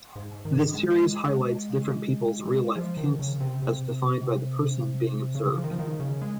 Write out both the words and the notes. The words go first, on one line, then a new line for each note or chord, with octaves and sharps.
This series highlights different people's real-life kinks, as defined by the person being observed.
G#2
D#3
G#3
G#3
F3
D#3
C#3
C3
C3
C#3
F3
D#3
F3
D#3
C#3
G#3